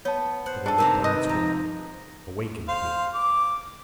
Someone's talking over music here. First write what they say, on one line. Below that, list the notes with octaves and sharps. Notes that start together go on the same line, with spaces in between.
But it had done its work--awakened me.
B3 C#5 A5
C5 F#5
D4 G#4 A4 A5
G#2 C3 A#4 A#5
D#3 B4 D#5
F3 A#5
C5 F5
D6